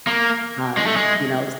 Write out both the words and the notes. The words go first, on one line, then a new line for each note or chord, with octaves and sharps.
uh, you know? S
A#3
G#3
A3
G#3